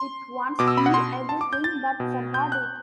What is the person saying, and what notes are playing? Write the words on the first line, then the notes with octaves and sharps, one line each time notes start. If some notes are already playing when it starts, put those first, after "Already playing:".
It once knew everything, but forgot it.
Already playing: C6
B2 D6
E6
B5
F#5
C6
A5
D6
G6
A6
B2
G6
F#6